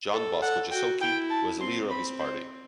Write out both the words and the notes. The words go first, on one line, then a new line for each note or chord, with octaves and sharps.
John Bosco Jasokie was the leader of this party.
A4
A4 F#5
F#4 G5
E4 G5
A5
C4 C6
B5
C5